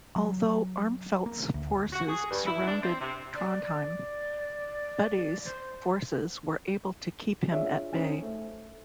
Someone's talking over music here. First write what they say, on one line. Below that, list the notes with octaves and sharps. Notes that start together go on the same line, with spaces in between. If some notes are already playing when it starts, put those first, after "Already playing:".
Although Armfeldt's forces surrounded Trondheim, Budde's forces were able to keep him at bay.
F#3
A#3
D2
F#4
G#4
G2
E4
D4
C4
C3
D5
C5
D4 F4 G#4 C#5 E5
C#4 D#4 C5
A3